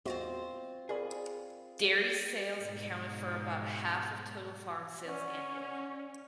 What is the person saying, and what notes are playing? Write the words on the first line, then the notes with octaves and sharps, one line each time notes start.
Dairy sales accounted for about half of total farm sales annually.
E2 C4 F4 F#4 C5 D#5
G#4 A#4 D5 B5
G#2 B2
C#4 D5 F#5 C#6